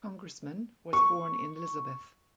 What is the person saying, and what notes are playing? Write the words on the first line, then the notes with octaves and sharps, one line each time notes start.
Congressman, was born in Elizabeth.
C#6